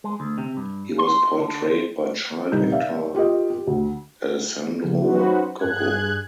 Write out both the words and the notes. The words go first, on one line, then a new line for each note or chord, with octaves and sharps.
He was portrayed by child actor Alessandro Cocco.
G#3
D2
C3
G2
C6
D3
C5
D#1 C3 G3 D#4 G6
D5 E5 F5
F4 G4 A#4 D#5
G4
D2
C#3 F3 G3 A3 A#3
F#3 C#4 D#4 F#4 B4 C5
G2 G#4 F#6 G#6